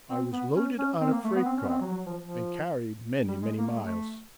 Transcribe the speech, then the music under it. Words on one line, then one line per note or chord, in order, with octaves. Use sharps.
I was loaded on a freight-car and carried many, many miles.
C4
B3
C#4
C#4
C4
A#3
A3
B3
C4
C#4
B3
C4
F#3
F#3
F3
F3
G3
G#3
A#3
A3
G#3
A3